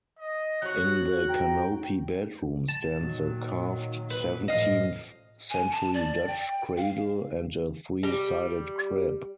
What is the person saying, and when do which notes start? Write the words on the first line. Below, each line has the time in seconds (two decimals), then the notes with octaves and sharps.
In the canopy bedroom stands a carved seventeenth-century Dutch cradle and a three-sided crib.
0.19 D#5
0.62 F#3 F#4 F#6
1.29 G5 A#5
2.69 A5
2.98 A#2 D#3 F#3
4.11 B4
4.48 A1 F3 D#5 F5
5.50 G#5
5.72 A5
5.94 D5
6.27 G5
6.77 F5
8.03 G3